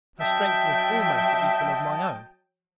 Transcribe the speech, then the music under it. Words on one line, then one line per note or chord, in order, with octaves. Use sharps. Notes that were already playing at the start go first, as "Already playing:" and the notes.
Her strength was almost the equal of my own.
F#3 D#5 E5 G5 A5